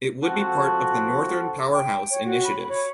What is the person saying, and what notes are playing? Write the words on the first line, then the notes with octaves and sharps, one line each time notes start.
It would be part of the Northern Powerhouse initiative.
F3 C4 F#4 A4
G5
C#5
F#4
B5
C#5